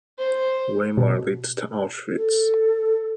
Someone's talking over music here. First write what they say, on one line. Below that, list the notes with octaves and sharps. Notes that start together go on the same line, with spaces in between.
Weimar leads to Auschwitz.
C5
B2
A4